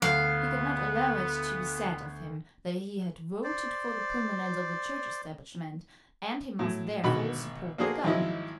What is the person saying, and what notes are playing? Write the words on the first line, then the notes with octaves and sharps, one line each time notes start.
He could not allow it to be said of him that he had voted for the permanence of the Church establishment, and he must therefore support the Government.
D2 B3 F5
C5 D5
A2 F#3
G#1 B2 D3 F#4 F#5 B5
A#3 D4 F#4 G#4 C5
G#1 F3 F#3 E4 D#5